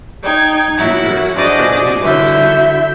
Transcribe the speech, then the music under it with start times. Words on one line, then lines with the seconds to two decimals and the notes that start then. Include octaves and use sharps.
"Deuteros" was critically well received.
0.22 D#4 G5 G#6
0.77 E3 F#3 E4 F#4
1.36 D4 F#4 G#4 C5 D5 D#5
2.01 D3 E4 F#4 E5 G6